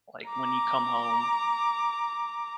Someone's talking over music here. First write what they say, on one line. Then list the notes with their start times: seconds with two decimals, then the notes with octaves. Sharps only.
like, when you come home,
0.29 A#5 D6